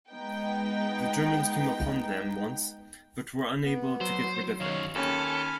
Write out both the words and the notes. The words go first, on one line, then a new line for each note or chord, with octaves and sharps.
The Germans came upon them once but were unable to get rid of them.
G#3 B3 D#4 G5
B3
F#3 C5
F#2 D#3 C#5 F5
D#2 C#4 A4 G#5 B5 F6